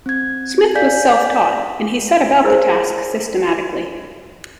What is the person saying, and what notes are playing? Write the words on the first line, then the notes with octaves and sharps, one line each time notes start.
Smith was self-taught and he set about the task systematically.
C4 G#6
D5 F5 G#5 G6 B6
E4 G#4 A#4 C5 D5 B5